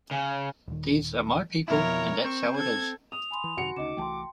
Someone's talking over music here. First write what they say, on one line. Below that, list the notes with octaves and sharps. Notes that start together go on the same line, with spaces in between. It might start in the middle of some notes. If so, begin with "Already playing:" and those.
These are my people and that's how it is.
C#3
D#1 D#3
F2 B2 E4 A#4 C#5
C4 C#6
A4 G#6
D#6 F7
G#5 B5 C6
E3
F#2 C3 D#3 F#4 C#7
D2 C#3 D#4 D#5 D6 E7
C2 E3 A3 G5 A5 C6